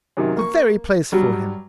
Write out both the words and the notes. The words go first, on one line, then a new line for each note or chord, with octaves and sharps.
The very place for him.
F#2 C3 D#3
A#3 C#6
G2 F#3 G3